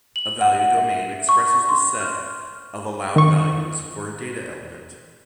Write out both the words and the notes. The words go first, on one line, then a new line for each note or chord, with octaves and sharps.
A value domain expresses the set of allowed values for a data element.
F#7
F#5
E5
C#6
C6
F6
D#3 C#6